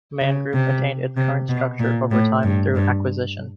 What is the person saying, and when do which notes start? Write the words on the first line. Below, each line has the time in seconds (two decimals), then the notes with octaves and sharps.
Man Group attained its current structure over time through acquisition.
0.21 C#3
0.53 C3
1.17 C3
1.48 B2
1.79 A#2
2.11 A2
2.43 G2
2.75 G2